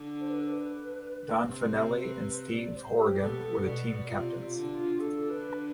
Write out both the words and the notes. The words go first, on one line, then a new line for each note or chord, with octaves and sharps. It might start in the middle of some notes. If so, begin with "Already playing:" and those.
Don Fanelli and Steve Horrigan were the team captains.
Already playing: D3 D4
C5
B4
A4
B4
C3 C4
C5
C5
B4
B4
D5
C5
G4
B2 B3 A4
B2 B3 D5
C3 C4 F4
F4
D3 D4
F4
D3 D4 A4
B4